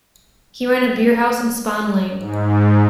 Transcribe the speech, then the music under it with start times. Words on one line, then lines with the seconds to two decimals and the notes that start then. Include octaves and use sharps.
He ran a beer house in Spon Lane.
2.18 G#2